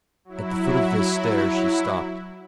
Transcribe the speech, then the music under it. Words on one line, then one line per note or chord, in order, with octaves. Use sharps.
At the foot of this stair she stopped.
F#3 E4